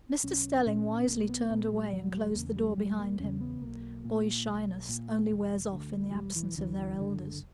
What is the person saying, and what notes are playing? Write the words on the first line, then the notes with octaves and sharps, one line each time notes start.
Mr. Stelling wisely turned away, and closed the door behind him; boys' shyness only wears off in the absence of their elders.
B1 C#4
A#2 C#4
B1 A#3
B3
A#2 B3
G3
E1 F#3
G3
E2 C#3 A#3
A#3
G3
E1 G3
A#3
E2 C#3 C#4
B3
B1 A#3
A#2
B1
A#2
E1
D2 D3
F#3
E1 G3
E3
D2 D3 E3
E3
F#1 D3